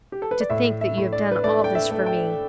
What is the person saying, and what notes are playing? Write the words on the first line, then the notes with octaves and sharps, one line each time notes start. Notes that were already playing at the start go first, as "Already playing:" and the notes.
"To think that you have done all this for me."
G4
A4
B4
D5
A2 E5
E5
A2
D5
B4
A3 D5
G5
E5
A3
G5